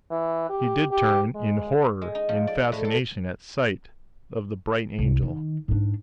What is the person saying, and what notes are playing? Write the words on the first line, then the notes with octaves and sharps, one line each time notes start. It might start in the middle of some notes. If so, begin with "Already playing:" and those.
He did turn, in horror, in fascination at sight of the Bright Angel.
E3
G4
G4
G#3
G#3
D#4
F3
D5
A2
A4
C2
D#3
G#2 D4